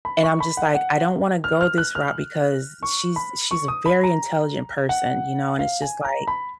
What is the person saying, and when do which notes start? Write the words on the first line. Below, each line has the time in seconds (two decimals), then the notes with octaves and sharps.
And I'm just like, "I don't wanna go this route because she's she's a very intelligent person." You know? And it's just like
0.05 B5
0.23 C#6
0.40 B5
0.57 F#5
0.75 F#5
1.44 F6
1.61 F6
1.78 F#6
1.95 F6
2.83 C#6
3.16 B5
3.51 C#6
3.68 D#6
3.86 B5
4.03 A#5
4.89 F#5
5.59 F5
5.82 G#5
6.04 A#5
6.28 B5